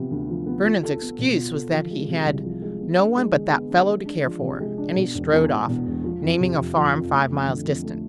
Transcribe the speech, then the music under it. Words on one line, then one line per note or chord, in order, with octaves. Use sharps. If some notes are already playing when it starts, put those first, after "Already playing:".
Vernon's excuse was that he had "no one but that fellow to care for", and he strode off, naming a farm five miles distant.
Already playing: C3 F3 B3
D2
F3
B3
F4
A4
B3
B2
F4
A4
F3
G#3
C3
C2
F3
G#3
B3
D4
G#3
D3
B3
D4
G#3
D4
F3
C3
G#3
D4
B2
E1
E2
E1
B2
E1
F3
F2
C3
F2
F3
F2
A3
F2
D3
F2
A3